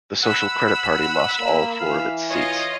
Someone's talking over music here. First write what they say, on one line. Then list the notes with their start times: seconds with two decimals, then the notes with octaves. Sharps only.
The Social Credit Party lost all four of its seats.
0.23 F#5 B5 E6
1.40 A#3
1.81 E3 F5
2.30 F4 C#5 D#5